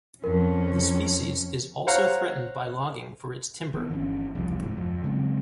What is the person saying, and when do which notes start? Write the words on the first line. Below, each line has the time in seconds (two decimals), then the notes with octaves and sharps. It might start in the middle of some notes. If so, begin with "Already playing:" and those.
The species is also threatened by logging for its timber.
0.24 F2 C#4 A#4
1.87 C5 C#5 F5 F#5 A#5
3.74 D#3 B3
3.91 G1 E3 C4 C#4
4.35 E1 C2 F3
4.62 D2 G#2
4.77 F2
5.04 C#3 F#3 G#3 C4